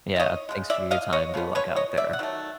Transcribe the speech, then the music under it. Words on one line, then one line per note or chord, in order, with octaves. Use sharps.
Yeah, "Thanks for your time. Good luck out there."
E5
C#5 D#5
C#3 F3 G#3
D5 E5
D#5 F5
C#5 D#5
C#3 F3 B3
B4 C#5
C#5 D#5
D5 E5
F#5
D#3 F#3 A3